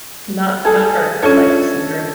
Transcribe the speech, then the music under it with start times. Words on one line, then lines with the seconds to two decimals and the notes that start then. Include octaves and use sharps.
not not her, I'd like to see her.
0.65 G#4 A4 A5 G#6
1.23 C#4 D4 F4 A4 C#5 G#6